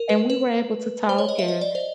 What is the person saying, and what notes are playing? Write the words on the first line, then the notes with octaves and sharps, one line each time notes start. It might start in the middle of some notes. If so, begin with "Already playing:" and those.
and we were able to talk, and
Already playing: A#4
B4
B4
C5
C#5
D#5
E5
D#5
D5
C5